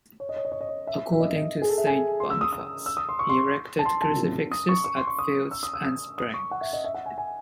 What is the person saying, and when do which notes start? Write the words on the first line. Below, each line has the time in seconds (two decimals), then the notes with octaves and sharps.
According to Saint Boniface, he erected crucifixes at fields and springs.
0.20 C#5
0.29 D#5
0.36 C#5
0.45 D#5
0.52 C#5
0.61 D#5
0.69 C#5
0.87 E5
1.13 E5
1.20 D#5
1.36 D#5
1.62 G#4
1.69 A4
1.78 E5
1.87 G#5
2.20 C6
2.30 E6
2.41 D#6
2.53 D#6
2.86 E6
2.97 D#6
3.09 C6
3.19 C#6
3.29 C6
3.79 A5
3.85 C6
4.02 A5
4.51 D#6
4.69 C#6
4.84 C#6
4.97 C6
5.07 C#6
5.19 D#6
5.51 E6
5.63 D#6
5.73 E6
5.85 D#6
6.18 D#6
6.34 C#6
6.51 F#5
6.61 E5
6.73 D#5
6.84 E5
6.94 F#5
7.06 G#5
7.18 G#5